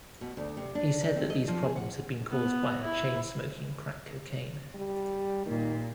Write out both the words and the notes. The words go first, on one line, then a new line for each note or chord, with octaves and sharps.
He said that these problems had been caused by her chain smoking crack cocaine.
B2
D2
C3
D4
D#4
C4
D#5
F3
G#4
F#5
B3
E4
G3
A#2 D#3